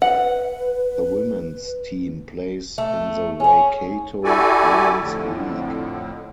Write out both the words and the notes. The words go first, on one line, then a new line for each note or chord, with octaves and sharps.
The women's team plays in the Waikato Women's League.
B4 F#5
A3
C#4 G#4
E4 F#4 G4 A4 D5 G#5
F2 A2 D3